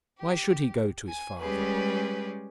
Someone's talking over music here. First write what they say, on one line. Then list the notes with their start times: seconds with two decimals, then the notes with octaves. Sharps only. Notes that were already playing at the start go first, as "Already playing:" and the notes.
Why should he go to his father?
0.20 G4
1.08 G#5
1.40 G3 G#3 C#4 G4 G#4 B4